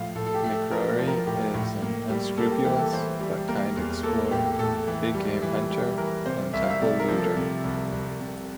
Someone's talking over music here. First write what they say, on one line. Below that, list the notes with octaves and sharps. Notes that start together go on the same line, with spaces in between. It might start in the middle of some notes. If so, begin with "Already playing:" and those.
McRory is an unscrupulous but kind explorer, big-game hunter, and temple looter.
Already playing: A2 F3 F5
A2 A4
A4
G4
A3
A4
F3 A#4
D5
F3
A#4
A2 G4
A2
A#3
G3
A#3 A4
G4
E3 G4
A4
E3 C5
G3
A#3 A#4
E2
A#3 A4
A2 G4
A2 A4
E3
G3
E3
G3
E3 A#4
C3 C5
C2 E5
F5
E5
C3 D5
A#4
F3
A4
C3
C2
C2
C3